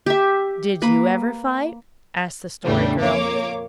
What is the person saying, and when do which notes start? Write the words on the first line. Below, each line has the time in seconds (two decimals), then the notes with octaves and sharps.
"Did you ever fight?" asked the Story Girl.
0.06 G4 E5
0.82 A#3 B4 B5
2.65 E2 A2 C#3 G3 A3 D4
2.98 F2 A#2 A#3 C#5 D6